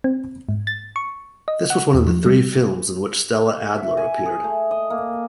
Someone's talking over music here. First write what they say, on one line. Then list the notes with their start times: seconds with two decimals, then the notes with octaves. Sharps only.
This was one of three films in which Stella Adler appeared.
0.04 C4
0.49 G#2
0.67 A6
0.96 C#6
1.48 D#5
1.70 F#5
1.94 E2
2.07 F3
2.26 G3
3.77 E5
3.97 G#5
4.26 G#4
4.44 A3
4.71 D#5
4.90 A#3